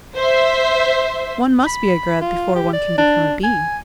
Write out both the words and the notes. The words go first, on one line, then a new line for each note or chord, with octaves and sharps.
One must be a Grub before one can become a Bee.
C5 E5
B5
F4
G4
D5
D4
G#5